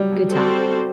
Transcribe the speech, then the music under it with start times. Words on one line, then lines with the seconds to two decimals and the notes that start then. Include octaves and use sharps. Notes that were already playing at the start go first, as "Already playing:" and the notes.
Good times.
Already playing: F#3 G3
0.12 F#3
0.30 G3 C4 F#4 A4 C5